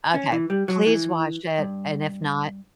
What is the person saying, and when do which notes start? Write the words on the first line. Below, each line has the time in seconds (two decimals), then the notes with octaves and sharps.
Okay. Please watch it, and if not
0.14 C#4
0.32 E3
0.50 G3
0.68 F#3
0.87 E3
1.58 G2